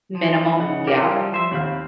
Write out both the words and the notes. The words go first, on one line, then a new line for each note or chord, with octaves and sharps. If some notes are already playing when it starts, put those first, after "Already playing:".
Minimum, yeah.
F3
C#3 D#4 F#5
G4 A#4
F3 G3 E4 F4 C6
C5 E5
D#2 C4 F5 B5 G6